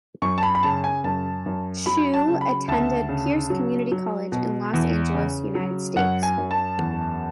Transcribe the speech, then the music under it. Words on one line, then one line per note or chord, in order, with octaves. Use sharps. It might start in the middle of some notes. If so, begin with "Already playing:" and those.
Chou attended Pierce Community College in Los Angeles, United States.
F#2 C#6
A5
B5
B5
C#3 A5
G#5
F#2 A5
F#2
F#3 B5
A5
C#3
B5
D2 A5
C#3
F#3
F#3
B2
E2
C#3
F#3
F#2 F#5
G#5
F#2
A5
E2